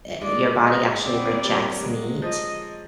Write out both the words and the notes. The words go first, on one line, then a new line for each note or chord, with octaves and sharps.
uh, your body actually rejects meat.
G#3 D5
D#5
C4 D5
B3
A#3
G3
F#3
G3
G#3
F#3
F3 D#5